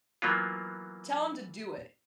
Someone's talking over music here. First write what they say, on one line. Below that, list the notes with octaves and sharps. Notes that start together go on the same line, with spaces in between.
"Tell them to do it."
E3 F#3 A#3 B3 F4